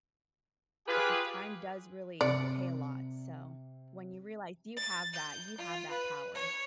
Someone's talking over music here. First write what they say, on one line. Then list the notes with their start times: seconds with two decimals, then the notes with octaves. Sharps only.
it time does really pay a lot, so, when you realize you have that you have that power,
0.87 F4 G4 G#4 B4
2.21 C3 D5 C#7
4.75 A6
5.11 G6
5.55 F4
5.88 B4
6.33 C#5